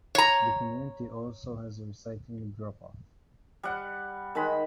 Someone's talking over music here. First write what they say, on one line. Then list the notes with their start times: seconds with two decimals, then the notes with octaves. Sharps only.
The community also has a recycling drop off.
0.15 C#5 A#5
3.63 G3 F#5
4.35 D#3 G#3 B5